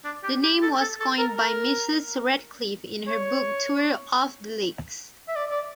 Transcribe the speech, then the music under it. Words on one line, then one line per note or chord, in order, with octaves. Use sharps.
The name was coined by Mrs. Radcliffe in her book 'Tour of the Lakes'.
D4
G4
G4
A4
A4
A4
A#4
A#4
C#5
E5
D5
D5